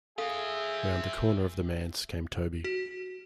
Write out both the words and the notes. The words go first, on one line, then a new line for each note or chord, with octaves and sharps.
Round the corner of the manse came Toby.
C4 F4 G#4 A4 E5 F5 D#6
F#4